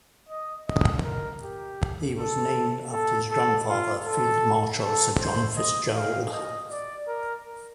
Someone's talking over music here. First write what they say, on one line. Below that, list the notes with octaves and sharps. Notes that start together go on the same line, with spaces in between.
He was named after his grandfather, Field Marshal Sir John FitzGerald.
D#5
D#5
A#4
G4
A4
A4
A4
F4
A4
A4
C5
D#5
F5
D#5
D5
A#4